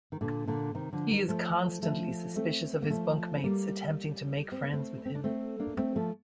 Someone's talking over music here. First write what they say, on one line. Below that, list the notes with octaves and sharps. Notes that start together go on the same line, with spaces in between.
He is constantly suspicious of his bunkmates attempting to make friends with him.
D#3
A#2 D3
A#2 D3
C3 D#3
D3 F3
D#3 G3
F3 A3
F3 A3
A3 C4
A#3
F3 A3
C4
G3 A#3
C4
A#3
A3 C4
C4
D4
A3 C4
A#3 D4
A3 C4
F3 A3